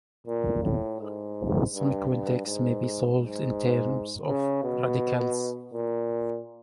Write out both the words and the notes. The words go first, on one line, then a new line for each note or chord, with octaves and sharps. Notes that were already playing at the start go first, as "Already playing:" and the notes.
Some quintics may be solved in terms of radicals.
A#2
A2
G#2
G2
G2
G#2
G#2
C#3
B2
A#2